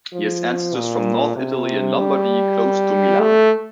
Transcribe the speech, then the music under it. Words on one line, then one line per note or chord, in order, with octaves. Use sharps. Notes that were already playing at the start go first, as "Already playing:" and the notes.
He has ancestors from North Italy in Lombardy, close to Milan.
F3
A#2
C3
G3
A3